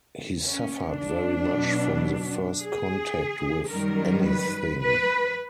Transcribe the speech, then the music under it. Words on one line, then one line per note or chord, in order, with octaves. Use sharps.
He suffered very much from the first contact with anything.
C#4
D4
B2 F#3
G#4
F#2 D#3 G3 A#4
B4
B4